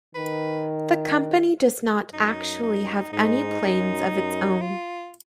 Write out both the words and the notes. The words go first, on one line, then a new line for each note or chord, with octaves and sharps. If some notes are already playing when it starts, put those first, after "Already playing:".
The company does not actually have any planes of its own.
D#3 B4
F#2 D#4
D#4
G#2 D#4
F#2
F#2
F4